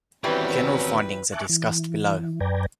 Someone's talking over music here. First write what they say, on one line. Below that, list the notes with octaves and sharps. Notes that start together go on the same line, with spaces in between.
General findings are discussed below.
E2 D#3 E3 F#3 G3 C4 C#4 B4
E5 G#5 A5 C#6 D6 F#6
E3
F#2 B4 D5 G5 G#5 A#5